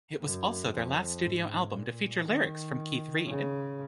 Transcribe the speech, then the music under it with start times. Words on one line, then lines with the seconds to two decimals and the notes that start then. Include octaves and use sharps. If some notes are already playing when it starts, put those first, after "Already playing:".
It was also their last studio album to feature lyrics from Keith Reid.
0.23 F#2
0.73 F2
1.24 G#2
1.75 A#2
2.26 D#3
3.27 C#3